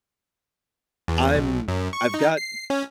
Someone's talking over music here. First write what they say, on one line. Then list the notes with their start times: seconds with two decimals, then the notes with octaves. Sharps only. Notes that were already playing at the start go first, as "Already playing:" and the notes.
I'm I've got
1.08 E2
1.35 B1
1.68 F#2
1.93 C#6
2.14 D#4
2.37 C7
2.70 C#4